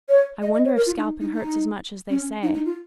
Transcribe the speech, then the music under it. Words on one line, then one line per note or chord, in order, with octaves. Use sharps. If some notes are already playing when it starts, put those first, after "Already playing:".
I wonder if scalping hurts as much as they say.'
C#5
D#5
D#5
C#5
A#4
F4
D#4
D#4
D#4
C#4
D#4
D#4
F4